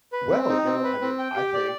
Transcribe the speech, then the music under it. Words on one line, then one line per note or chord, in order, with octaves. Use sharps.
Well, you know, I mean, I think,
B4
C4
D#4
C4
B4
C4
G5
G4
D5